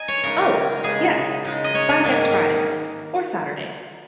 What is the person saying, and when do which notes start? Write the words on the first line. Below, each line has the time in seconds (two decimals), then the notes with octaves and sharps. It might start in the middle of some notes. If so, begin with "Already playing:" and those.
Oh yes, by next Friday or Saturday.
Already playing: D#4 G#5
0.08 C#5
0.23 C#3 G#3 D#4 A#4
0.83 C#3 G#3 D#4 G#4
1.45 C#3 G#3 D#4
1.64 D#5
1.75 C#5
1.89 G#5
2.04 G#2 D#3 A#3 C#4